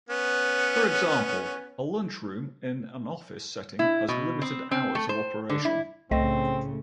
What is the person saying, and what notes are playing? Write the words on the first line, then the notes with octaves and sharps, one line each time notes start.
For example: A lunch room in an office setting has limited hours of operation.
B3 C#4
E4
B2
C4
C4
A3
C5
D3
E4
C2 A2 C#3 A3 C4 D#5 A#6